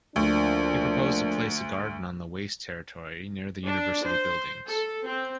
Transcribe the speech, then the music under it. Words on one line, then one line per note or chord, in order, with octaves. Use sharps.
He proposed to place the garden on the waste territory near the university buildings.
D2 F3 A#3 D4
D4
C5
A4
C4